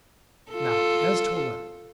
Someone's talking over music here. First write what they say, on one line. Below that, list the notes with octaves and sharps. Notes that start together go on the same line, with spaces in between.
Now, as to a letter.
F4 A4